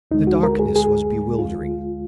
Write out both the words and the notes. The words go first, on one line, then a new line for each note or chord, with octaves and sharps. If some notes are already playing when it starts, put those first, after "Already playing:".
The darkness was bewildering.
D2 D3 G#3 D#4
F#4
A#4
G#4
G#4
F4